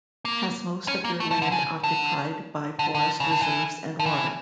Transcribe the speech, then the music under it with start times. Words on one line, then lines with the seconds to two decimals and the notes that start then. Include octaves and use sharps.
Has most of your land occupied by forest reserves and water.
0.25 A#3
0.88 C#4
1.05 A#3
1.20 A3
1.31 F3
1.42 D3
1.52 C#3
1.84 D3
2.79 D3
2.95 D3
3.20 C#3
3.32 D3
3.42 E3
3.99 F3
4.06 E3